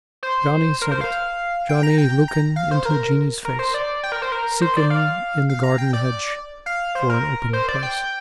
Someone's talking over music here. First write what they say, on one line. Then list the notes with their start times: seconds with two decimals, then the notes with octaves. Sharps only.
Johnnie said it, Johnnie luikin' Into Jeannie's face; Seekin' in the garden hedge For an open place.
0.23 C5
0.81 A#4
0.92 C5
1.01 F5
1.69 G5
1.83 A#5
1.98 G5
2.28 A#5
2.56 F5
2.71 C5
2.85 A#4
3.45 A#4
3.59 C5
3.74 D5
4.03 G5
4.12 A#4
4.22 C5
4.32 A#4
4.61 C5
4.76 D5
4.90 F5
5.49 F5
5.63 A#5
5.78 G5
5.93 D5
6.66 F5
6.95 C5
7.09 A#4
7.53 C5
7.68 D5
7.83 G5